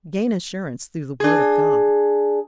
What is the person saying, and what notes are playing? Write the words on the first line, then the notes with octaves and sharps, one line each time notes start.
Gain assurance through the Word of God.
D4 G#4